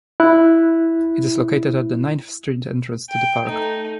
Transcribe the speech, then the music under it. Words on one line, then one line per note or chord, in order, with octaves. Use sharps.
It is located at the Ninth Street entrance to the park.
E4 F#6
G5
A3 D#4